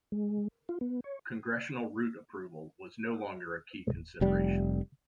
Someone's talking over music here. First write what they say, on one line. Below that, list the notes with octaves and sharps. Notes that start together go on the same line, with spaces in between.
Congressional route approval was no longer a key consideration.
G#3
F4
B3
C#5
F1 G3